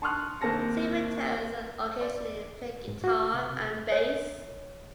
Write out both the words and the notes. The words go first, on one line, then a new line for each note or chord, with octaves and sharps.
Supertones, and occasionally played guitar and bass.
A5 C6 C#6 D#6 F6 F#6
D#2 A#3 C4 A5 A#6 C#7
D5
G#2
F#4
C3
C#5